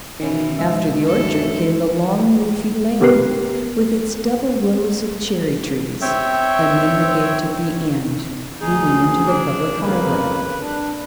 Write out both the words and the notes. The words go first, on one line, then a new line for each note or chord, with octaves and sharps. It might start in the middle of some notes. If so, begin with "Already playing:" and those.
After the orchard came the long leafy lane, with its double rows of cherry-trees, and then the gate at the end, leading into the public highway.
B2 D#3 E3 C#4
G#3 E5
F#2 A4
B3 G4 A#4 B4 C7
C4 C#5 E5 G5
D2 D#4 G#4
D4
F2 C#3 A#3 B4
D4